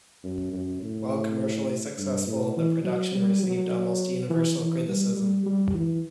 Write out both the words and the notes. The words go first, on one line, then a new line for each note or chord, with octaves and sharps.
While commercially successful, the production received almost universal criticism.
F#2
F#2
A2
G2
A2
E3
F#3
G3
F#3
E3
E3
G3
G3
G3
E3